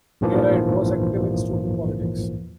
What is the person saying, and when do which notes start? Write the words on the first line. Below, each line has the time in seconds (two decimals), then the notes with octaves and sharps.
Hareide was active in student politics.
0.21 A#1 E2 G#2 E3 F3 A#3